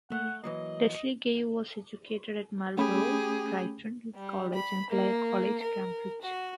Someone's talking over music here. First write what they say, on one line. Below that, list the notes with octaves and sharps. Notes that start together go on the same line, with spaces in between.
Leslie Gay was educated at Marlborough, Brighton College and Clare College, Cambridge.
A3 F#5
E3 F#3 A#3 D#5
A3 C#4 G4 G#4 B5
G3
B5
A#3
A#4
F#4